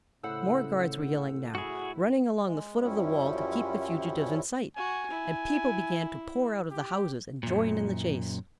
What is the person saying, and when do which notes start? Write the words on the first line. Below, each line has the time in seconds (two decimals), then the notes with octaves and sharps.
More guards were yelling, now, running along the foot of the wall to keep the fugitive in sight, and people began to pour out of the houses and join in the chase.
0.23 A2 C#3 C5 F#5 B5 E6
1.55 E4 F#4 G#4
2.46 G#3
2.82 F#2 F3 G3 C#4 E4
4.77 F#4 G#5
5.11 E4
6.71 G4
7.43 F#2 A#2